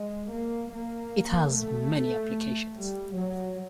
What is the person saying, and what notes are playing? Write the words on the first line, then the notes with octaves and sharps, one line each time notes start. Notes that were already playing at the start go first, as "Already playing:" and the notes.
It has many applications.
Already playing: G#3
A#3
A#3
A3
G3
F#3